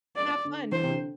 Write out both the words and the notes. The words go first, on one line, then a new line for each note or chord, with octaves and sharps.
Not fun.
D5
D3
E3 C5
C3
D3